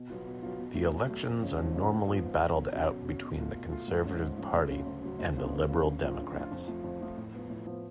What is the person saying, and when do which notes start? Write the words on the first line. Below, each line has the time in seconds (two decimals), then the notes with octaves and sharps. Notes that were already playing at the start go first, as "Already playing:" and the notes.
The elections are normally battled out between the Conservative Party and the Liberal Democrats.
Already playing: B2
0.10 F#3 B3 F4
0.26 B2
0.43 F#3 B3 F4
0.60 B2
0.75 F#3 A3
0.92 B2
1.09 F#3 A3
1.25 F2
1.42 C#3 F3 G#3 C#4
1.58 F2
1.74 C#3 F3 G#3 C#4
1.91 G#2
2.07 F3 B3 F4
2.24 G#2
2.40 F3 B3 F4
2.57 B2
2.73 F#3 C#4
2.90 B2
3.06 F#3 C#4
3.22 B2
3.39 A3 F4
3.55 B2
3.72 A3 F4
3.88 G#2
4.05 F3 A3 C#4
4.21 G#2
4.38 F3 A3 C#4
4.54 D2
4.70 C#3 F#3 C#4
4.87 D2
5.03 C#3 F#3 C#4
5.19 D2
5.37 C#3 F3 B3 D4
5.53 D2
5.69 C#3 F3 B3 D4
5.86 C#3
6.02 F3 A3 D4 F4
6.18 C#3
6.35 F3 A3 D4 F4
6.52 F2
6.68 F3 A3 F4
6.84 F2
7.01 F3 A3 F4
7.17 A2
7.34 F3 B3
7.50 A2
7.67 F3 B3